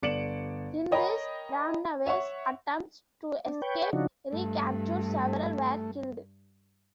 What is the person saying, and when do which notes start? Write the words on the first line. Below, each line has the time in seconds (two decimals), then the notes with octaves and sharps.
In these runaways' attempts to escape recapture, several were killed.
0.03 G1 D5 C#7 D7 E7 F#7
0.91 A#4 C#5 D#5 G5 A#5 B5
2.06 C#5 E5 F#5 C#6
3.46 D4
3.62 B4 C#5 G5
3.93 C#3 F3 D4 D#4 F#4
4.33 G2 A3